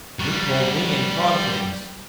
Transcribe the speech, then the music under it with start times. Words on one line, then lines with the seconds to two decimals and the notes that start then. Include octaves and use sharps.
"He told me in confidence."
0.19 G3 F#4